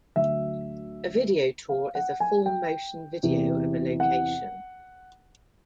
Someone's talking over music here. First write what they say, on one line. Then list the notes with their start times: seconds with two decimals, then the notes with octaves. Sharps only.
A video tour is a full motion video of a location.
0.16 D2 D3 F#3 E5
1.69 F5
1.95 F#5
2.20 G#5
2.46 G5
3.23 E2 C3 E3
4.00 F#5